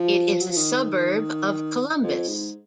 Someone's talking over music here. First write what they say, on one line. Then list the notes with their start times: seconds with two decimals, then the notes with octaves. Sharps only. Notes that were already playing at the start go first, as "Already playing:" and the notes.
It is a suburb of Columbus.
Already playing: F3
0.41 F#3
0.49 F3
0.57 D#3
2.04 F2
2.28 G#2